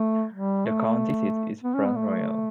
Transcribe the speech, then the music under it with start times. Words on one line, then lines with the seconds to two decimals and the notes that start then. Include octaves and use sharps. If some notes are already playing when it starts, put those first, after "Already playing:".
The county seat is Front Royal.
Already playing: A3
0.34 G3
0.66 A3
1.64 B3
1.74 C#4
1.85 B3
1.96 A3